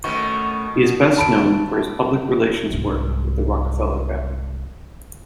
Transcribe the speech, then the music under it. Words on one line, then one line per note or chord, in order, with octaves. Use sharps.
He is best known for his public relations work with the Rockefeller family.
B2 D#3 A3 C#4 F#4 C#6
A5 B5 D7
C2 G#2